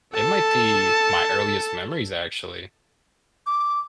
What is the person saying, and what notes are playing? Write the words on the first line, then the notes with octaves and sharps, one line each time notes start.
it might be my earliest memories, actually,
A4 A5
D6